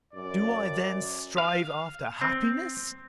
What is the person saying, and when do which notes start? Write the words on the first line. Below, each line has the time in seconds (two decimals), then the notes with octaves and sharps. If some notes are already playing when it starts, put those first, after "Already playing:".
Do I then strive after HAPPINESS?
0.13 F#2 D5
1.38 F5
2.21 C4